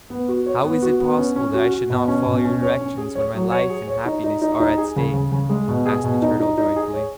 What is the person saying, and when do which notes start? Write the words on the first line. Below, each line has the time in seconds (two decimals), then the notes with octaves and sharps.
'How is it possible that I should not follow your directions when my life and happiness are at stake?' asked the turtle joyfully.
0.10 B3
0.28 F#4
0.46 C#5
0.64 B3
0.82 F#4
1.00 B3
1.18 C#4
1.36 C#4
1.54 F#4
1.72 F#4
1.90 B2
2.08 C#4
2.26 B2
2.44 C#4
2.62 C#5
2.80 C#4
2.98 G#4
3.15 C#5
3.34 F#3
3.52 C#5
3.70 G#4
3.88 C#5
4.05 D#4
4.24 D#4
4.42 D#4
4.60 D#4
4.78 G#4
4.96 C#3
5.14 C#3
5.32 C#3
5.49 G#3
5.68 B2
5.86 G#4
6.04 B2
6.22 D#4
6.40 D#4
6.58 D#4
6.76 G#4
6.93 C#5